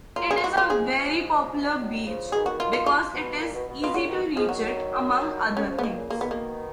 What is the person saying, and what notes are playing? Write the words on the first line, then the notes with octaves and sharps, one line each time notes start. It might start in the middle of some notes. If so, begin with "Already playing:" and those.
It is a very popular beach because it is easy to reach it among other things.
F#3 A#3 F4
F#3 A#3 G#4
F4
G#3 B3 F#4
F#3 A#3 F4
F3 G#3 G#4
D#3 F#3
C#3 F3
B2 D#3 G#4
F#4
F4
F4
F4
B2
A#2
B2
B2
B2 F4
A#2 C#3 F#4
B2 D#3
F3 G#3 G#4
D#3 F#3 F#4
D#3 F#3 C#4
C#3 F3
B3
B2 D#3 A#3
A#2 C#3
B2 D#3 A#3
B3
A#3